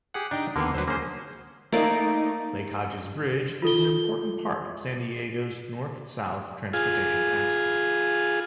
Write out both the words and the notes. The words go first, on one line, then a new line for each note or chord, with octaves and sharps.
Lake Hodges Bridge is an important part of San Diego's North-South transportation axis.
G4 G#4 F#5
D4 D#4 G5 A#5
D#2 D3 A#3 B3 C7
D2 F#3 B4 C5
A#3 C#4 G#4 C5
A3 A#3 D#4 D5
F4 A4 G7
F4 G#4